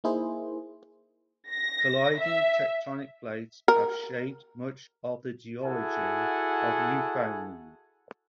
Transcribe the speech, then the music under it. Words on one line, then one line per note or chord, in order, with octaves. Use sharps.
Colliding tectonic plates have shaped much of the geology of Newfoundland.
A#3 D#4 E4 G#4 C5
A#6
E5
A#4
E4 F#4 G#4 A4 F#5 G#5